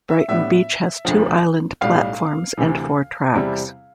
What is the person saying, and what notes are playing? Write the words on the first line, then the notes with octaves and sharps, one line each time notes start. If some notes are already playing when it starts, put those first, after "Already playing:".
Brighton Beach has two island platforms and four tracks.
E5
A2 G3 B3 D4 E5
E1 D2 D3 F3
B1 A2 G3 F5
D2 C3 E3
E2 C3 G3 C4 E4